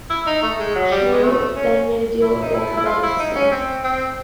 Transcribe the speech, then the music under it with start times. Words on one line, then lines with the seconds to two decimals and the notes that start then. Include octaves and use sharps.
Schneer then made a deal with Warner Brothers instead.
0.10 E4
0.27 D#4
0.42 A3
0.59 G#3
0.75 F#3
0.91 G3
1.13 G#3
1.24 A3
1.56 C#4
2.22 E4
2.42 D#4
2.54 E4
2.77 E4
2.86 F4
3.03 E4
3.19 D#4
3.35 C#4
3.51 C4
3.84 C4